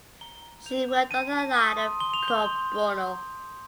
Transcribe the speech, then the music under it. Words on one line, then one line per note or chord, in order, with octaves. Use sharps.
She worked on the latter pro bono.
A#5 G7
A#5
G6 F7
D6
A5 D#7
A5
D#6
C6
C6 G7
F7
G6
G7
C6